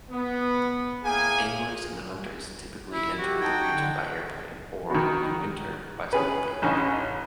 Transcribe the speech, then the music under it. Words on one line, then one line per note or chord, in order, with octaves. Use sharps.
Anglers and hunters typically enter the region by airplane or, in winter, by snowmobile.
B3
A2 A#3 G#4 G5 G#5
E4
F#4 G4
D#4 F#5 G5 A5 G#6
D3
B2 D#3
C#4 G#4 B4
A1 C#3 C#4 D#4